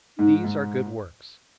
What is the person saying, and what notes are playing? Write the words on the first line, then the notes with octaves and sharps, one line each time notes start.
These are good works.
G#2 D#4
G#2